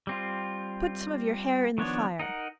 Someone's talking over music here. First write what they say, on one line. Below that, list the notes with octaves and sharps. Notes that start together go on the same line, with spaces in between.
Put some of your hair in the fire.
G3 C4 F4
D#3 F3 B3 D4 C#5
D#4 A#4 F#5